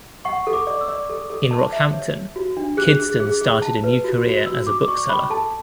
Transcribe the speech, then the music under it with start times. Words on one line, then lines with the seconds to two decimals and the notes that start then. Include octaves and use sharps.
In Rockhampton, Kidston started a new career as a bookseller.
0.25 F#5 C#6
0.47 A4
0.53 D6
0.67 D5
0.81 E6
0.88 D5
1.09 A4
1.30 A4
1.51 A5
1.72 E5
1.94 C#5
2.15 C#5
2.36 F#4
2.57 D4
2.77 G#4 F#6
2.99 G#4
3.20 G#4
3.41 G#4
3.62 A5
3.84 B4
4.04 F#4
4.25 F#4
4.46 F#4 E6
4.67 F#4 D6
4.88 D5 C#6
5.09 C#4 B5
5.30 A4 A5